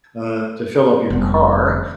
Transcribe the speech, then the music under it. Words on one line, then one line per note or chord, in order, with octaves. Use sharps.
uh, to fill up your car,
F1 C3 G3 B3